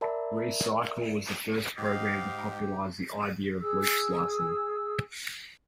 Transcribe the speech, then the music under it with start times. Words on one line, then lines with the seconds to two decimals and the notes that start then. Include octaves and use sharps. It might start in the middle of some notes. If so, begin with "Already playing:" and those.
ReCycle was the first program to popularize the idea of loop slicing.
0.01 A#4 D5 E5 A5 B5
1.78 G#2 G4 D#5 F5
3.59 G#4 E6